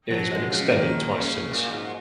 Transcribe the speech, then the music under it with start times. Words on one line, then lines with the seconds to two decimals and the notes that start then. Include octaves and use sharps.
It has been extended twice since.
0.11 F3 F#3
0.31 F#3 G#3
0.50 C#3 G#3
0.70 D#3 A#3
1.11 C#3
1.51 A#2
1.71 G#2